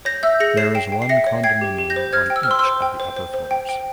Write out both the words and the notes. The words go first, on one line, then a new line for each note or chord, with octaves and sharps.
There is one condominium on each of the upper floors.
C#5 G6 A#6
E5 E6 G6
G#4 A#6 C#7
C#5 C7 E7
G5 C7 E7
G5
C7
E5 A#6 C#7
C#5
G5 G#6 C7
G4
G4
G6 A#6
C5
C5 F6 G#6
G5
E6
F6
C5 C6 E6
C6 E6
C5
G5
C5
C5
C5
G5
G5